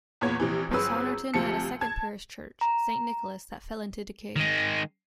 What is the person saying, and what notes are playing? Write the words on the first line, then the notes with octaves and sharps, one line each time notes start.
But Saunderton had a second parish church, Saint Nicholas, that fell into decay.
E2 A#2 B3 C#5 G#6
A#1 C3 E3
G1 F#3 C4 G#4 B4 E6
D2 C3 F3 A5 C#7
A5 G#6
A#5
D#3 G#3